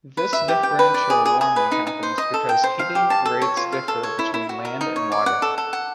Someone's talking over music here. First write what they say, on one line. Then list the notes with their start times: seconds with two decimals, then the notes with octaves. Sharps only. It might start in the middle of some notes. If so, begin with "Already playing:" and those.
This differential warming happens because heating rates differ between land and water.
0.17 B4
0.33 E5
0.48 G4
0.63 G5
0.79 B4
0.94 D5
1.10 G#4
1.26 G#4
1.41 G#4
1.56 B4
1.72 D#4
1.87 D#4
2.03 C5
2.18 D#5
2.34 A4
2.49 G5
2.64 C5
2.79 F5
2.95 G4
3.10 A5
3.26 A4
3.42 C#5
3.57 F4
3.73 F5
3.88 A4
4.03 C#5
4.19 E4
4.34 E4
4.49 F#4
4.65 A#4
4.81 D#4
4.96 C#5
5.12 D5
5.26 F#5
5.42 A4
5.58 A4
5.73 F#5